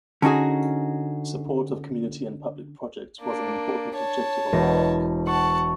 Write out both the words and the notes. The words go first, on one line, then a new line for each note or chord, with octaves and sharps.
Support of community and public projects was an important objective of the bank.
D3 C#4 D#4 F#4 G#4
A#3 D4
C#5 A5
E1 A#6
F#5 A5 C#6